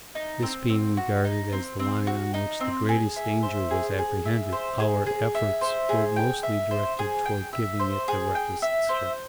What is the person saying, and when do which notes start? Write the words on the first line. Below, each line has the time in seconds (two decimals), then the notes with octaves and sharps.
This being regarded as the line on which the greatest danger was apprehended, our efforts were mostly directed toward giving it the requisite strength.
0.15 D#4
0.43 C4
0.69 C4
0.97 F#4
1.24 D#4
1.52 C4
1.79 C4
2.07 F#4
2.34 D#4
2.60 C4
2.89 G#4
3.16 E5
3.43 C5
3.70 G#4
3.98 G#4
4.25 E5
4.52 C5
4.80 G#4
5.06 G#4
5.35 E5
5.61 C5
5.89 G#4
6.16 G5
6.43 E5
6.71 C5
6.99 G#4
7.26 G5
7.53 E5
7.80 C5
8.08 G#4
8.35 G5
8.62 E5
8.89 C5